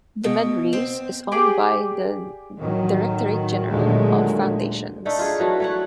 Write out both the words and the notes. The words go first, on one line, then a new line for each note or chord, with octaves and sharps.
The medrese is owned by the Directorate General of Foundations.
B2
C4
G4 G#4 D5 G5
A2 D#3 F#3
D#2 A#2 D3 F#3 G#3 A3
A3 D4 D#4 A4
F4 G#4
E3 F#3 A3
A3 C#5 F#5